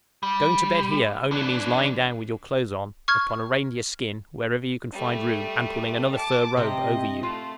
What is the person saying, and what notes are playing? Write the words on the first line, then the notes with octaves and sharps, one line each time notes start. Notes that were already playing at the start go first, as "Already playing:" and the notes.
Going to bed here, only means lying down with your clothes on, upon a reindeer skin, wherever you can find room, and pulling another fur-robe over you.
G3
E3 D4
C#6 F6 G#6
G3 A3
A5 D6
C3 D#5
A3 F4